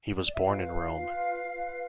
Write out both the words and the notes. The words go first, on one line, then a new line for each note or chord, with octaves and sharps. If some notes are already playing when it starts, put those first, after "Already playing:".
He was born in Rome.
D5
E5
F4 B4 F5
F4 B4
F4 B4